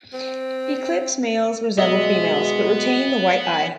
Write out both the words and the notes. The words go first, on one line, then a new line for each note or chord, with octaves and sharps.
Eclipse males resemble females, but retain the white eye.
C4
B2 G#3 B3 F#4 D#5 E5